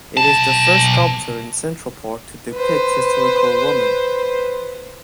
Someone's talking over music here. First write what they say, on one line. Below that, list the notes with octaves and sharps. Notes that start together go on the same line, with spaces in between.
It is the first sculpture in Central Park to depict historical women.
B1 A5
B4 C5